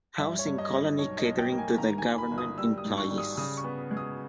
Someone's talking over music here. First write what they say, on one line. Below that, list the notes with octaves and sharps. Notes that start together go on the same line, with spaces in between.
Housing Colony catering to the government employees.
G2 E5
C#5
G2
D#5
G2
D#5
B1 C#5
D#5
B1
G5
A#3
G#5
D#3 A#5
G#5
A#3
B5
G1
D#6
G3 E6
D#6
G#2
C#6
G3
D#6
C#3 D#6
C#6
B3
G#3
D#6